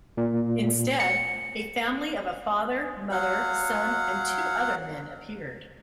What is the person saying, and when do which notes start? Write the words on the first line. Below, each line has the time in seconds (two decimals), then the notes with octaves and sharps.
Instead, a family of a father, mother, son and two other men appeared.
0.17 A#2
1.00 C#7
3.12 F#3 F5 F#5